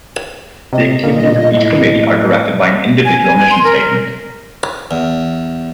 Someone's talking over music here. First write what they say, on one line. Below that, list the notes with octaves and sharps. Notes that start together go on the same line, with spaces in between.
The activities of each Committee are directed by an individual mission statement.
C3 D#5
A#2
A2
G#5
G#5
G#5
C6
A#4
A#4
E2